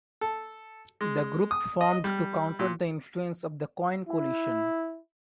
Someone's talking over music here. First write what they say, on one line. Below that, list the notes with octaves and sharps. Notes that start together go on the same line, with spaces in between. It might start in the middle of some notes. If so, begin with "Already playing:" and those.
The group formed to counter the influence of the Coin Coalition.
A4
G#3
D#6
D#5
G3
A#2
E4